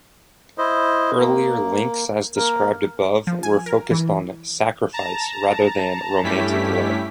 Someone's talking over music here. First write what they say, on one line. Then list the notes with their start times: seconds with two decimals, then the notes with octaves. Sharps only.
Earlier links as described above were focused on "sacrifice" rather than romantic love.
0.58 E4 C5 D#5
1.19 A#3
2.36 A#3 A#4
3.27 F3
3.43 G#5
3.66 A#4
3.91 E3
4.93 A5 A#5
6.23 G2 A3 C#4 E4 G4 B6